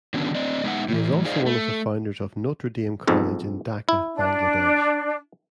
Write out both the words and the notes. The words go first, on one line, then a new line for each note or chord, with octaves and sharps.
He is also one of the founders of Notre Dame College in Dhaka, Bangladesh.
D3 D#3 F#3 B3 C#4 D4
C4 D5 D#5
G#3 B3 D#4 G4 E5 F#5
A2 E3
D#4 G#4 C5 D5 D#5 F5
A3
B1 F2 G#2
E4
D4